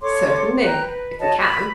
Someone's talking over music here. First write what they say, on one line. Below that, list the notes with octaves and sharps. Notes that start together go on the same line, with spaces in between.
"Certainly--if we can."
A4 C#5 C6 D6
G5 A#5 F#6 G6
B4
F#4 C#5 D#5 A5
B5